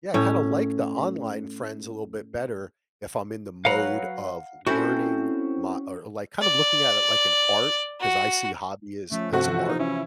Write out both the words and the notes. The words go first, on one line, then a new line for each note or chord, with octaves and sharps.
yeah, kinda like the online friends a little bit better if I'm in the mode of learning my or, like, kind of looking at it like an art 'cause I see hobby as as art,
A2 C#4
F#3 B4 F5 F#5 A#5
C4 C#4 E4 F#4 A4
D5
F#4
F3 A3 C#4
G2 C3 A3 C4 F#4
E3 F3
D#4
C#4 E4